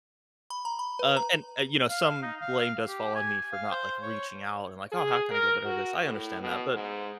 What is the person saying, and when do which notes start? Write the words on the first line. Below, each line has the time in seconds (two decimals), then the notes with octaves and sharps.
Um, and, uh, you know, some blame does fall on me for not, like, reaching out and, like, "Oh, how can I get better at this?" I understand that, but
0.50 B5
0.65 A#5
0.79 B5
0.99 B4
1.17 A#5
1.89 F5
2.22 D#4
2.40 F5
2.87 G4
3.15 G#5
3.52 F5
3.71 C5
4.02 C#5
4.92 G#4
5.31 A#4
5.65 F#4
6.05 A2
6.40 B2
6.74 G#2